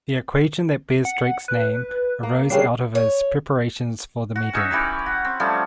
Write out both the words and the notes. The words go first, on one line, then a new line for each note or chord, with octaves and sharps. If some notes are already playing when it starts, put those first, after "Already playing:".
The equation that bears Drake's name arose out of his preparations for the meeting.
F#5
B4
A#3
C#3 G3 D4 C7
C#5
F#4
C#4 D#4 C#5 E5
E3 G4 B5
F#4
C4
F3 G3 A3 C#4